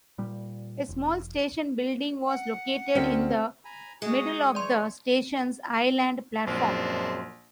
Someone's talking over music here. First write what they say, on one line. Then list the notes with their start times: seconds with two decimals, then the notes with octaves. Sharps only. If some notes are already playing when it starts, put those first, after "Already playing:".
A small station building was located in the middle of the station's island platform.
0.18 A#2 G3
0.89 E1
2.26 F#5
2.95 D2 C4 C#4
3.65 G#5 A#5 B5
4.02 G#3 F#4 G#4 C#6 D#6
4.55 E3 C#5 D5 G#5 C6 C#6
6.47 A#1 F#2 G#3 C4 D4